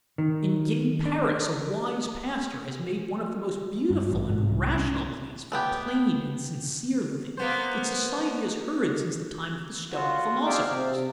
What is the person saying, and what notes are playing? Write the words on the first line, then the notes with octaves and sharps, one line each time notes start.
In gay Paris, a wise pastor has made one of the most beautiful and rational pleas for plain and sincere living that society has heard since the time of the stoic philosophers.
D#3
D4
G2
A1
G#2
C2
C#4
A3 B3 G4
A#3 B3 C5
F4 F#4
G#4 D5 E5 F5 G5
C3
C3